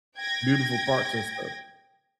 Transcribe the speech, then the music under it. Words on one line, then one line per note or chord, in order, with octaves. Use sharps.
beautiful parks and stuff
G5 G#6 A#6